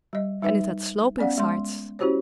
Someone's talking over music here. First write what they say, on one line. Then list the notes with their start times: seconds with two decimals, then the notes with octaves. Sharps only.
And it had sloping sides.
0.13 G3 D#5
0.42 G3 D#4 B4 E5
1.18 B3 C#4 D5 F5 F#5
1.38 G#3 C6
1.99 C#4 E4 F#4 G4 C5 C#5